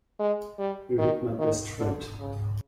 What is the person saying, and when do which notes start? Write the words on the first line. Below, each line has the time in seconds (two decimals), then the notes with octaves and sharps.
You hit my best friend.
0.19 G#3
0.59 G3
0.98 D#3
1.39 D#3
1.79 D3
2.19 C#3